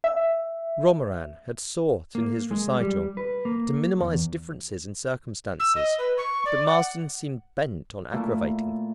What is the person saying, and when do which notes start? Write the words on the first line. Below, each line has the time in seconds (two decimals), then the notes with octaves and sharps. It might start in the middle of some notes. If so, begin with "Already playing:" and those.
Romarin had sought in his recital to minimise differences in circumstances; but Marsden seemed bent on aggravating them.
0.04 E5
2.15 A#3
2.51 G#3
2.80 G3
3.17 B4
3.45 A#3
4.01 E2
5.60 E6
5.75 D#5
5.98 B4
6.18 C#6
6.45 D5
6.67 F#5
8.12 A#2 A3 E4